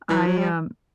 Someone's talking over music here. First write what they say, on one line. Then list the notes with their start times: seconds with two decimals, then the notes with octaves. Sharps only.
I, um
0.10 E3
0.26 F#3
0.38 G3